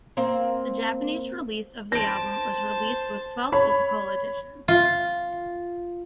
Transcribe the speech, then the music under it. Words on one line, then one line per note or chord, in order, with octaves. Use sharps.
The Japanese release of the album was released with twelve physical editions.
A#3 C4
C5 A5 A#6 D7
C#5 B5
F4